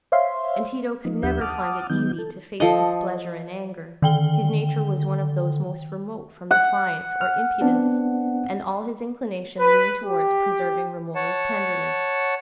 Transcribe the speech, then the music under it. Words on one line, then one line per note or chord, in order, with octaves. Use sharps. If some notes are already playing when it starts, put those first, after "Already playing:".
And Tito could never find it easy to face displeasure and anger; his nature was one of those most remote from defiance or impudence, and all his inclinations leaned towards preserving Romola's tenderness.
C5 C#5 E5 F5 C6
F3 D#4
D#2 F3 D4 G4 E5 G6
F#5 A5 D6 D#6 F6
D#3 F#3 B3 D#4 G6
A4
F3 A4 D#5
D3 D#3 G5 G7
F#5
F6
B3 C4 D4
B4
G4
C#5 F#5 A5